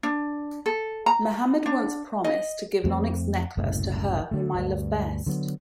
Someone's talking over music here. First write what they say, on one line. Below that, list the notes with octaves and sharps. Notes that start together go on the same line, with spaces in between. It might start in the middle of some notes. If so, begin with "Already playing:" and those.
Muhammad once promised to give an onyx necklace to her whom I love best.
D4
A4
A#5
D4
D#5
F2 A3 C4
F#1 C2 F#2 A2
D3 A3
D2 G2
D3 F#3 B3